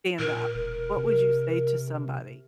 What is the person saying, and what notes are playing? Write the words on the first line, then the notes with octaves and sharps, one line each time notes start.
stand up? What would you say to somebody?
A#2 A#4
E1
C3